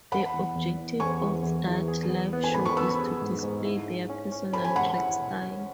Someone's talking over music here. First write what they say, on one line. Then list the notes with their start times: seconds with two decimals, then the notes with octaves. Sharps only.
The objective of that live show is to display their personal drag style.
0.12 E2 F#5 B5
0.33 E2
0.56 E2
0.78 E2
1.00 E2 G#5 C#6
1.22 E2
1.44 E2
1.67 E2
1.88 G#4
2.10 B3
2.33 B3
2.44 G#5
2.54 G#2 B5
2.66 C#6
2.77 B3 B5 E6
2.98 G#4
3.22 G#2
3.43 G#2
3.65 E4
3.87 C#4
4.10 C#4
4.32 C#4
4.53 C#4 B5
4.64 G#5
4.75 G#3 F#5 B5
4.97 E4
5.19 B2
5.42 C#4